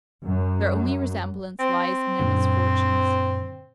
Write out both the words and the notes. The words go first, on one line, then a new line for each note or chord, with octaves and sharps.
Their only resemblance lies in their misfortunes.
F#2
C4
F#2 A#2 D3